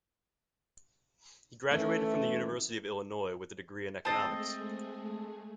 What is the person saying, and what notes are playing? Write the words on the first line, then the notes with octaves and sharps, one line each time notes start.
He graduated from the University of Illinois with a degree in Economics.
E3 A3 C#4
G#3 A3 C4 G#4 D#5 A5 A6 C7